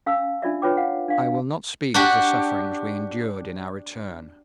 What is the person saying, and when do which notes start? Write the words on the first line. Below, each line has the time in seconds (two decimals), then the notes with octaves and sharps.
I will not speak of the sufferings we endured in our return.
0.06 C#4 F5 A5 E6
0.42 D4 F4 D5 E5
0.62 F4 B4 C#5 G5 D6
0.77 F5 F#5
1.09 D4 F5
1.94 D4 F#4 G4